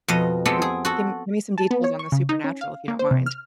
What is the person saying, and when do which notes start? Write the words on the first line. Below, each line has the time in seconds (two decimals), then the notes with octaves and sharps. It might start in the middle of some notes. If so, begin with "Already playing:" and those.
So gi gimme some details on the Supernatural, if you don't mind.
0.08 F2 B2 D#5
0.45 G#3 B3 C4 G4 A4
0.62 G#4
0.85 F#4 A4
1.58 A5
1.71 B3
1.84 C#5
1.99 C#6
2.12 C#3
2.29 D#4
2.44 C#4
2.61 F5
2.88 A#3
2.99 C5
3.11 C3
3.26 F6